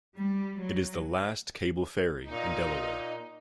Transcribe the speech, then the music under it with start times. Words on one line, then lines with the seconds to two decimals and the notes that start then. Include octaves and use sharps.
It is the last cable ferry in Delaware.
0.17 G3
0.59 F#3
2.29 A#2 D#4